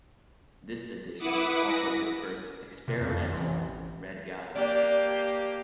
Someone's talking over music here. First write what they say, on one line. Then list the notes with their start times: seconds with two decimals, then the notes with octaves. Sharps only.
This edition was also his first 'experimental' red guide.
1.18 E4 B4 E5 F#5 D6 D#6
1.66 A#6
2.88 C3
3.01 F2
3.32 A1
4.55 A#3 D4 G4 D5